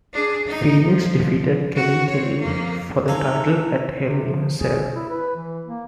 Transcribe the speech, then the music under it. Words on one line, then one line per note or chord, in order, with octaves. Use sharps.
Phoenix defeated Kelly Kelly for the title at Hell in a Cell.
D4 G#4
D#4
F3
F#4
C4 C#5
F2 A#3
D#3 A4 F5 G#5 A#5
C3
F3
G#4
E4
B4
E3
A#3